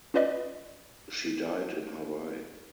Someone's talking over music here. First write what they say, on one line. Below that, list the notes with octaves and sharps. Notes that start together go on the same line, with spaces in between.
She died in Hawaii.
C#4 F4 B4 D5 D#5